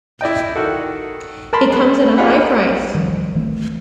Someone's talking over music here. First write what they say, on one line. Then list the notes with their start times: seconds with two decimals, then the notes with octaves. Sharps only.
It comes at a high price.
0.21 E4 D5 D#5 G5
0.56 D#3 F#4 A4
1.53 A#4 A5 B5 C6
1.70 G#3 B3
2.17 D#4 F4 G4 G#4 F#5 B5
2.95 D#3 F3 G3
3.35 D#3 E3 A3 C4